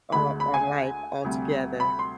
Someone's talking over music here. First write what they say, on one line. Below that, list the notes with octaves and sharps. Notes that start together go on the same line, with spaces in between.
on on life altogether.
D2 D3 G#3 B5
B5
G#5
D2 C3 G3
B5
C6